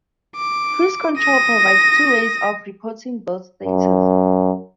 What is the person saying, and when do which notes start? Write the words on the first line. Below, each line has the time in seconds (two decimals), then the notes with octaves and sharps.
CruiseControl provides two ways of reporting build status.
0.36 D6
1.18 D#6 A#6
3.65 F#2